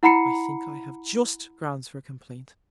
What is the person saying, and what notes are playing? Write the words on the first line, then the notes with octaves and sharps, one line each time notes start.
I think I have just Grounds for Complaint.
E4 F#5 A#5 B5 C7 C#7